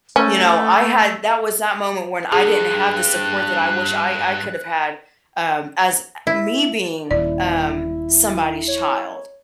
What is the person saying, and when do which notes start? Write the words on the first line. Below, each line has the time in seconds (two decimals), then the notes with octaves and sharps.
you know, I had that was that moment when I didn't have the support that I wish I I could've had, um, as, uh, me being, um, somebody's child,
0.16 A3 C#4
2.32 G2 G#4 F#6
6.27 E4
7.11 D#1 E4 D5
8.68 C#5